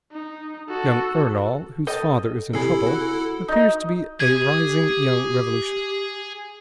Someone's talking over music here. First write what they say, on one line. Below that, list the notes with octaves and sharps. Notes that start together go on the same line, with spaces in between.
Young Ernol, whose father is in trouble, appears to be a rising young revolutionist.
D#4
F#4 A4
A4 D#5 G5
C3 E4 G#4 A4
F#4
D#4 D#5
G4 G#4 G#6